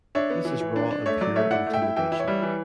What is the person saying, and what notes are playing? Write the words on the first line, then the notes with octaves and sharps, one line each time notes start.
This is raw and pure intimidation.
D4 C#5 E5
B3
E3
E3
D4
D4
A3 C#5 E5
F#3 D5
A3 C#5 E5
E4 D5 F#5
A3
E5 G5
E4
E3 E5 G5
E4
C#5
G3
E3